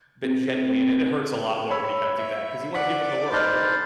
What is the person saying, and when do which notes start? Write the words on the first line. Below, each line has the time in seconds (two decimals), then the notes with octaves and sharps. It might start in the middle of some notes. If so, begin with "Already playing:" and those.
a bit gently, and it it hurts a lot more when you gotta do that, 'cause you wanna give them the world, right?
0.25 C4
1.70 C#5 B5 E6
2.19 E5
2.75 D5 F#5 B6
3.32 D#4 C5 A5 B5 F6 F#6